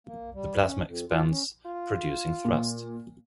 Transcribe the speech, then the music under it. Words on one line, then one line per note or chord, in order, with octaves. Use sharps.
The plasma expands, producing thrust.
A#3
G3
C#4
F2
F4
C#4
F4
A#2